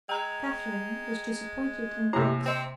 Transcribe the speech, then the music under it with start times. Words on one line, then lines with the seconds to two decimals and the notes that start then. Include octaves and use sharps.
Catherine was disappointed and vexed.
0.09 G#3 G5 A#5 F7
2.13 C3 A#3 E4 A#5
2.46 C4 D#5 G5